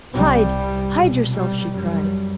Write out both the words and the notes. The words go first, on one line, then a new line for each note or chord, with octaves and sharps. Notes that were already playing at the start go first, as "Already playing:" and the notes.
"Hide! hide yourself!" she cried.
C2 C3 G3
C2 B2
G3
F#2 G3